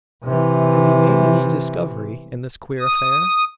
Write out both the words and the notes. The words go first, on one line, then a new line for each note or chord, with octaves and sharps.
Have you made any discovery in this queer affair?
C3 E3
D#6